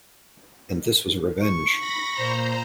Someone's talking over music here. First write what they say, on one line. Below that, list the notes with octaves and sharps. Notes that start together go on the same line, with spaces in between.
And this was revenge.
C#6
B5 A#6
A#2 C5 A#5